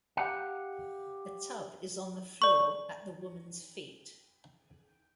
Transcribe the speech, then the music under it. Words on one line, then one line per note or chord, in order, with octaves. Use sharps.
A tub is on the floor at the woman's feet.
G4 F5 F#5
D5 C#6